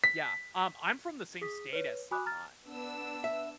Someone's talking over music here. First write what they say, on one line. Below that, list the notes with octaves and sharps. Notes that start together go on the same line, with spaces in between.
Yeah, um, I'm from the same state as Slipknot.
B6
G#4 D#6 B6
B4 C#5
F#4 G#5 B5 D6 D#6 F#6
A#5 F6 A6
B3 D4 E6
E5